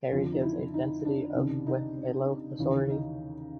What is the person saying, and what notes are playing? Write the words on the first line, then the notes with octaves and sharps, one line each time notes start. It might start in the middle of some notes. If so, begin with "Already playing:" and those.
Carry gives a density of with a low porosity.
F2 D3 F3 F4
D#4
E4
D#4
D4
C#2 C3 D#3
D#4
D#2 C#3 E3
D#4